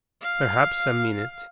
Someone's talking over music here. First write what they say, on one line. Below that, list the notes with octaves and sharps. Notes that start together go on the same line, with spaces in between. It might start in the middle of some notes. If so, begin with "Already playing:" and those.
Perhaps a minute.
F5